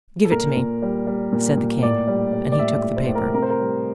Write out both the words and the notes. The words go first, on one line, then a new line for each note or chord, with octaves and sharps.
"Give it to me," said the king; and he took the paper.
A4
A#2 A#4
A#2
G3
G3
A#2
A#2
A2 D5
G3
G3
D5
A2 E5
E5
A2
C5
A2
A#4
C3 A#4
C5
A#4
G3